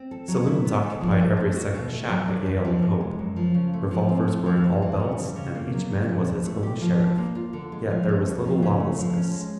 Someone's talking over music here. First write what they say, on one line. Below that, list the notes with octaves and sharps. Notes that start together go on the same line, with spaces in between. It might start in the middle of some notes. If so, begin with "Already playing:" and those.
Saloons occupied every second shack at Yale and Hope; revolvers were in all belts and each man was his own sheriff; yet there was little lawlessness.
Already playing: C4
A4
F#3
E4
B3
A4
F3
D4
A3
F#4
B2
A3
F#3
D4
E2
F3
C3
G#3
F#2
F3
C#3
A3
F3
C4
A3
F3
F2
E3
C#3
G3
C#3
A#3
F#3
C#3
F3
D4
A3
G4
F3
D4
A#3
F4
D3
G#3
F3
C#4
D2
F3
C#3
A3
F3
C#4
G#3